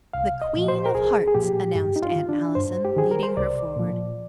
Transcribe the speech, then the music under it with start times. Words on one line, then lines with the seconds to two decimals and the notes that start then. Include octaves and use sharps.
"The Queen of Hearts," announced Aunt Allison, leading her forward.
0.13 C2 F5
0.42 D#5
0.54 A#2 F3
0.68 C5
0.79 C5
0.86 A#4
0.94 C2 G#4
1.28 G#4
1.35 A#2 F3 G4
1.75 G2 G4
1.96 D#4
2.03 F4
2.16 D#3
2.29 D4
2.55 G2 C5
2.85 G4
2.96 D#3 G#4
3.11 A#4
3.23 C5
3.36 C2 D5
3.76 A#2 F3